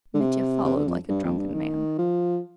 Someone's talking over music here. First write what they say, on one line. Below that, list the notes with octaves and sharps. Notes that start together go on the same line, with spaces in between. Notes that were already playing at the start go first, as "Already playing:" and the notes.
Mitya followed like a drunken man.
D3
C3
C3
D3
F2
G2
F2
G2
D#3
F3